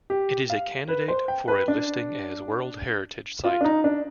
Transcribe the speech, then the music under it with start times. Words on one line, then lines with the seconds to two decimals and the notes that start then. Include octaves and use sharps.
It is a candidate for a listing as World Heritage Site.
0.10 G4
0.50 F5
0.88 B4
1.08 C5
1.28 G5
1.48 B4
1.68 D4
3.45 F4
3.61 D4
3.64 D#4
3.84 D4